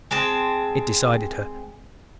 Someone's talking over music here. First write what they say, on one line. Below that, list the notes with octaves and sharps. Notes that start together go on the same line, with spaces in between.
It decided her.
G#3 C4 A5